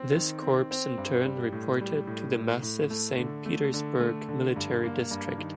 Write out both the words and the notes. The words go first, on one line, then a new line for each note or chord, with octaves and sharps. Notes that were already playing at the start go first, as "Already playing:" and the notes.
This corps in turn reported to the massive Saint Petersburg Military District.
Already playing: C4
D#3
C4
C4
G2
G3
A2
G3
A2
A2
A2
A3
D3
A3
D3
A3
D3
G2
A#3
G2
D#3